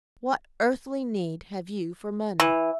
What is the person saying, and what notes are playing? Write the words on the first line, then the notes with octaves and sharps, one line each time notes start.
What earthly need have you for money?'
E3